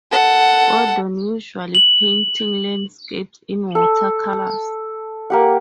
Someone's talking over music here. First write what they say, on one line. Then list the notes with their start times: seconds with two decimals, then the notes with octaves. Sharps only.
Gordon usually painting landscapes in watercolours.
0.11 A4 F#5
1.75 F#7
3.75 A4
5.30 A#3 G4 F#5